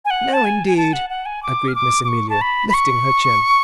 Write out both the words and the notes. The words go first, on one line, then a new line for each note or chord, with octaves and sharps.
"No, indeed!" agreed Miss Amelia, lifting her chin.
G#5
F#5
A5
G#5
G#5
A5
F#5
F#5
G#5
D6
F6
D6
D6
C#6
A5
B5
B5
C#6